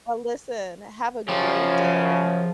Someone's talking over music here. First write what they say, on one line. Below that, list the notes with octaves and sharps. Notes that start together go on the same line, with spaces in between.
Well, listen, have a great day.
F#2 C#3 F3 G4